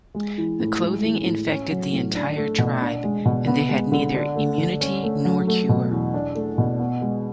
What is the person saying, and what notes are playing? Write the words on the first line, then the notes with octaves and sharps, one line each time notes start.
The clothing infected the entire tribe, and they had neither immunity nor cure.
G#3
E3
A2
G#3
E3
A2
C#4
F#3
A2
D4
A3
B2
D4
G#3
B2
B3
G#3
D3
D4
A3
D3
C#4
A3
F#3
A3
B2
E2
D4
A3
B2
B3
G#3